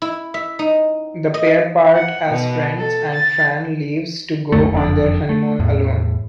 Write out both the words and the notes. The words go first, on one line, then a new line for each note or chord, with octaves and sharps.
The pair part as friends and Fran leaves to go on their honeymoon alone.
E4
E5
D#4
D#5
F#5
B2
A4
A6
C#2 F#2 D3 A3
F#1 F2 D4
A3
E2 A2